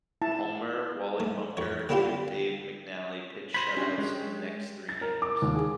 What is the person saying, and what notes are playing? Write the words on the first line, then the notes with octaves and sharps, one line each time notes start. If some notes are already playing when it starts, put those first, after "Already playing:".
Palmer, Wally Bunker and Dave McNally pitched shutouts in the next three games.
E4 A5
A3
F2 C#5
D3 B3 D4 E4 F4 G4
C5 B5 G#6 A#6
C#4 D4 G4
G#3
A6
A#4
D6
D#2
G#4